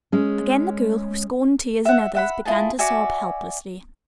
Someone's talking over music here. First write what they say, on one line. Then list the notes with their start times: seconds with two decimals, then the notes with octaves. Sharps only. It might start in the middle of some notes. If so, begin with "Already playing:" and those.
Again the girl, who scorned tears in others, began to sob helplessly.
0.12 G#3 C#4
1.85 E5 F#5
2.15 E5 F#5 B5
2.45 E4 F4 G#4 A5
2.79 F#4 D5 E5 G#5